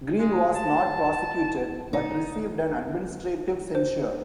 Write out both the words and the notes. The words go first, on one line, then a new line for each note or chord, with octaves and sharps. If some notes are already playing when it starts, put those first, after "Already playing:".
Green was not prosecuted, but received an administrative censure.
G#3
A5
D#4
C5